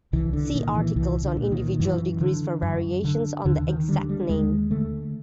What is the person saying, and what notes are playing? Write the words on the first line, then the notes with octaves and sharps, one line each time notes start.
See articles on individual degrees for variations on the exact name.
C2 E3
D3
A#2 D#3
E3
C2 E3
D3
A#2
D#3
F#2 E3
D3
F#2
D3
D#2 D3
D#3
D3 G3
G3
D#2 G#3
D3 A3